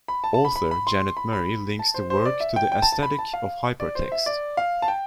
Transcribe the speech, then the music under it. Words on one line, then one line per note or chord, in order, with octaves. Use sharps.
Author Janet Murray links the work to the aesthetic of hypertext.
B5
A5
A5
B5
B5
B5
C6
B5
B5
A5
C5
C5
D5
E5
G5
G5
A5
A5
B5
A5
F5
D5
C5
E5
D5
F5
A5
G5